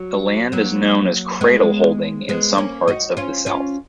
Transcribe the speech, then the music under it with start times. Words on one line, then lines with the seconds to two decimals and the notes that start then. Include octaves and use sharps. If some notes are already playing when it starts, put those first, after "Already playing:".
The land is known as cradle-holding in some parts of the south.
Already playing: F#3
0.52 F#3 A#3
1.41 G#3 B3
2.29 G#3 B3
2.58 A#3 C#4
2.88 D#4 F#4
3.17 C#4 F4
3.46 C#4 F4